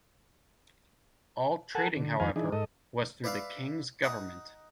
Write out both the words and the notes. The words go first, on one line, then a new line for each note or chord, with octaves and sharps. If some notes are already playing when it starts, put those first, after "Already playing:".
All trading however, was through the King's government.
A4 A#4 F#5 G#5 A5
D3
F2 D#3 B4 F5 G#5
E3 D4 D#4 G#4
G#2 A4 D#5
B4 D5 E5 F5 B5
D#4 F#5 D#6